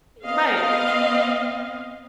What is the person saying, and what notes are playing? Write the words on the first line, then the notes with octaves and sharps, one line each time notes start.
Right, it's
B3 C4 D#5 F5